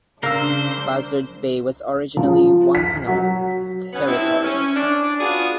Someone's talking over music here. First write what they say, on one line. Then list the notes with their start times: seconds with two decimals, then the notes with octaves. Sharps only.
Buzzards Bay was originally Wampanoag territory.
0.23 C#3 D4 A#4 C5 F5 E6
2.17 F3
2.75 B6
3.07 F#3
3.93 B3 C#4
4.08 G2 C4 E4
4.44 C#4
4.75 D4
5.19 B3 D4 F4 F#4 G#4